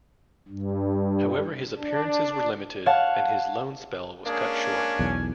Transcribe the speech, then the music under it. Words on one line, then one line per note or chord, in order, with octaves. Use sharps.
However his appearances were limited and his loan spell was cut short.
G2
D4
C#5 F5 F#5 A5
G#3 A#3 C#4 D4 G#4
G#5
B1 E2